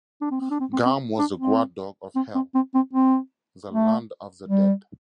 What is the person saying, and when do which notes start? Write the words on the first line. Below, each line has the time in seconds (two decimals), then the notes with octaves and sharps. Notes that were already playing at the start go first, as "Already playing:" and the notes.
Garm was the guard dog of Hel, the land of the dead.
0.21 D4
0.31 C4
0.41 C4
0.51 D4
0.60 C4
0.73 C4
0.86 C4
1.19 D4
1.38 C4
2.16 C4
2.35 C4
2.55 C4
2.75 C4
2.93 C4
3.71 A3
4.49 G3